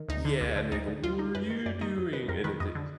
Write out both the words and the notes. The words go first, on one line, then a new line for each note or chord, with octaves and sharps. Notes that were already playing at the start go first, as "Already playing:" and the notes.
Yeah, and they go, "What are you doing?" and it's a y
Already playing: D#3
D2 D#4
D3
D2
D3
D2 D#4
D3
D2 F4
D3 D#4
F#2 B4
D#3
F#2 D5
D#3 D#5
F2
D#3 B4
F2 A#4
D#3 B4
F2 D#5
D3